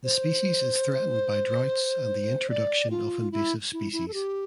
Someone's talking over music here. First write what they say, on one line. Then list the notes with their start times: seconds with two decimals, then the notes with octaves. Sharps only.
The species is threatened by droughts and the introduction of invasive species.
0.04 C5
2.50 D5
2.90 F4
3.32 E4
3.73 E4
3.92 E4
4.08 A4
4.14 G4